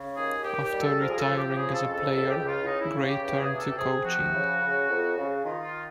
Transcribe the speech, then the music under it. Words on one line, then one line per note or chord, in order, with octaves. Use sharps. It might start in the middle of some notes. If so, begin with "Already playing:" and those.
After retiring as a player, Gray turned to coaching.
Already playing: C#3
D#2 G#4
D#2 G4
G4
G3
A4
F3 A#4
G#4
A4
F3
G4
C#3 G#4
A4
F2
A4
C#2 A4
G4
C#3
F4
E4
C#3 D#4
E4
C#3
G4
E2 G4
G#4
C3
A4
G4
C3 G#4
F3 F#4
C#3
C#3
F2
C#3
D#3 F4
F4